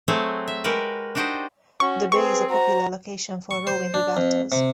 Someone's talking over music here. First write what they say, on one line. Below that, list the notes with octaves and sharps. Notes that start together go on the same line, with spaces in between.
The bay is a popular location for rowing regattas.
F#3 A3 C4 G#4 C#5
E5
G#3 F#4 G4 A#4 B4
D4 D#4 F#4 G4 C5 D#5
C#4 F#4 C#6
C4 G#4 B4 C#6
F#4 C5 A#5
C#6
C5
D4
F2
C3